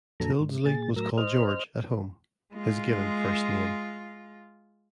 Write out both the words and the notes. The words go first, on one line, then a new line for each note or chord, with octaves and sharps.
Tyldesley was called 'George' at home, his given first name.
F2 A#2 D3 F#3 A4 A#5
G#2
A#2 G#4 A6
A2 F#3 A#4 E6 A#6
C5 D#5 F6
G#3 F4